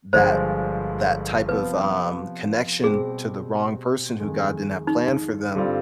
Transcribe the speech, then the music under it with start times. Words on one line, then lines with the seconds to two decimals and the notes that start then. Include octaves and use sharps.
that l that type of, um, connection to the wrong person who God didn't have planned for them,
0.13 G1 G2 F3 G#3 C5
1.49 C3 F3 B3 B4
2.84 B2 G3 C4 G4 G#4 C5
4.20 F2 D#3 G#3
4.87 D#4
5.55 G2 D3 G3 C4 F4